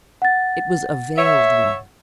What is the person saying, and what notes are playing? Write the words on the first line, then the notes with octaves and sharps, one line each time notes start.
It was a veiled one.
F#5 A6
C#5 E5